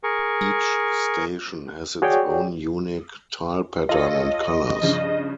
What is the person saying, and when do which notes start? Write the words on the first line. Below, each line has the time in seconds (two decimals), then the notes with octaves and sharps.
Each station has its own unique tile pattern and colours.
0.03 G#4 A#4 C#6
2.02 F#4 G#4 C#5 D5 G5
3.89 F4 A4 C#5 D#5
4.82 G2 C#3 F3